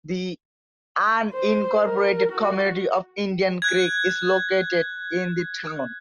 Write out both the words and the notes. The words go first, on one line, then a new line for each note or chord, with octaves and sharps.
The unincorporated community of Indian Creek is located in the town.
C5
A#4
F#4
F#6 G#6